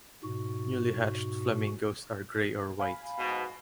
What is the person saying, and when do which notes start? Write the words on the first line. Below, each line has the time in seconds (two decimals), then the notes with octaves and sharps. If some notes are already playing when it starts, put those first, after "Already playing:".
Newly hatched flamingos are gray or white.
0.24 G#2 B2 F#4
2.80 F5 G#5 B5
3.18 G#2 B2